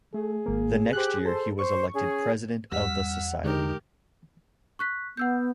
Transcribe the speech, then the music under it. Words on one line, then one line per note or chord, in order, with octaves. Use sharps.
The next year he was elected President of the Society.
A3 G#4
G#1 A#3
G4 C5 F#6
A4 C5
C5 C#6
C#4 G#4
E2 G3 F#5 E6 F6 B6
D3 G#3 D#4 G4 A#4
C#6 F#6 B6
B3 F#5 E6 G6